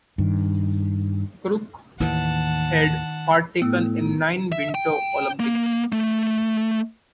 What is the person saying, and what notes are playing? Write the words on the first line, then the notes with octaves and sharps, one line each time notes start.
Krook had partaken in nine Winter Olympics.
G2 D#3
D#2 A2 D#3 E3 F#5 A5
A2 B3 E6
E5
G5
A#3
A3